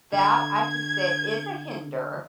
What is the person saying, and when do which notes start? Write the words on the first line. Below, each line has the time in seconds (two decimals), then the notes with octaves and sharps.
that, I could say, is a hinder
0.13 D3 G#6